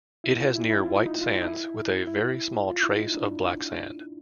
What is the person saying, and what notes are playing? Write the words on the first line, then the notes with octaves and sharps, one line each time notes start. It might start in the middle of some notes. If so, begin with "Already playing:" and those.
It has near white sands with a very small trace of black sand.
E4
F4
E4
D#4
E4
F4
D#4
F4
E4
D#4
E4
E4
F4
E4
D#4
D4